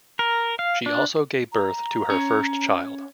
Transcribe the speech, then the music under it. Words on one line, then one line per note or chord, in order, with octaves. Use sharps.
She also gave birth to her first child.
A#4
F5
D4
A#5
C#4 C#5